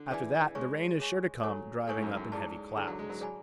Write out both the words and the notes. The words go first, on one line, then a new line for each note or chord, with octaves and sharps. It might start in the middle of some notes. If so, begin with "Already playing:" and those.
After that the rain is sure to come driving up in heavy clouds.
Already playing: D3
E3 G#4 D5 G#5 B5
G#3 G#4 C#5 G#5 C#6
G#4 C#5 G#5 C#6
F#3 A4 C#5 G#5 C#6
A2 A4 C#5 G#5 C#6
G#2
F#2
F#2
G#2 E4 G#4 D5 A5
D3 E4 G#4 D5 A5
F#3
G#3
F#3
F#3 G#4 D5 G#5 B5